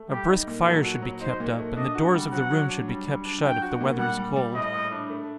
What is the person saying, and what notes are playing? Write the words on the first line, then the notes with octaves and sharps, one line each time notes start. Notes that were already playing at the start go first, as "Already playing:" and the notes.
A brisk fire should be kept up, and the doors of the room should be kept shut, if the weather is cold.
Already playing: A3
G3 G4
D#4
A#2
F#3 A4
F#4
F#3
D#4 C5
A#2
A3
D4 D#5
F#4
G3
F#3 F#5
F#3
D4
G3
G3
D4
F#3 G5
F#4
A#2
G3 F#5
G3
G3
A2 D#5
A2
D4
A3